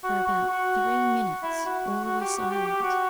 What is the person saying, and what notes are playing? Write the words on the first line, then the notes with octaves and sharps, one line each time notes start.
For about three minutes all were silent.
F#4
F#4
F#4
E4
F#4
F#4
F#4
G4
F#4
G4
G4
F#4